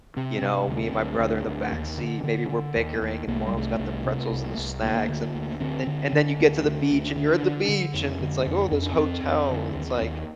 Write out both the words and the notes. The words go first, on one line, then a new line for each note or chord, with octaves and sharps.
you know? Me and my brother in the back seat, maybe we're bickering, and mom's got the pretzels and the snacks and, then and then you get to the beach, and you're at the beach, and it's like, "Ooh, this hotel." It's like,
C3 C4
C3
D2
D2
D2
D2
D#2
D3
D3
D3
D#2
D#2
C2 A#3
A3
G3
C2 A3
C2
C3
C2
C2
D2 A#3
D3
D2
D3 C4
D3
D3
D2
D3
D2
D3 D4
D3
D3
F2
D3
F2
F2 C4
D4
C4
F2
F2
D3
D#2
D#2